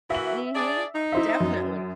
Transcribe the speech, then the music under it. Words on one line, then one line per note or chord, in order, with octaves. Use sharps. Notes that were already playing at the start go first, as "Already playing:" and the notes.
Mhm. Definitely.
E3 A#3 F#4 E5 F#7
D4 G#4 D5
D#4
E4 C5 E5
F#2